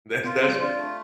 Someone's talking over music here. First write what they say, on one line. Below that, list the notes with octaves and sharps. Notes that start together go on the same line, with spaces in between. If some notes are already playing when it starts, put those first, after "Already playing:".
That's, that's
B3 F4
C4
F4
G3
D4 F4
A3